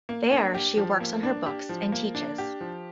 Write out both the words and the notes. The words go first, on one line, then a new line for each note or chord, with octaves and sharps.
There she works on her books and teaches.
A#3
D4
G4
F3
A#3
D4
G4
F3
A#3
D4
G4
F3